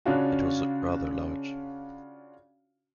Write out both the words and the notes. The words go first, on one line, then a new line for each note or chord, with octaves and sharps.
It was rather large.
C#3 C#4 D4 F4 F#4